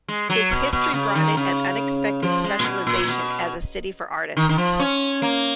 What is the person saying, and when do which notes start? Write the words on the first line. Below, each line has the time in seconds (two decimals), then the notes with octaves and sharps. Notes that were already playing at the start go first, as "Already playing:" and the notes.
Its history brought it an unexpected specialization as a city for artists.
0.08 G#3
0.30 F#3
0.51 B2
0.73 B2
0.94 C#3
1.15 D#3
1.37 C#3
2.23 F3
2.44 G#3
2.60 A#2
2.64 B2
2.87 A#2
3.08 B2
4.37 D#3
4.49 D#3
4.58 F3
4.79 C#4
5.22 A#3